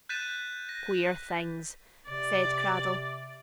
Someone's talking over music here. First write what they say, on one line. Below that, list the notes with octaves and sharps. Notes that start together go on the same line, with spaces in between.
"Queer things!" said Cradell.
F#6 G6 A6 B6 D#7 E7
A#6
C3 D5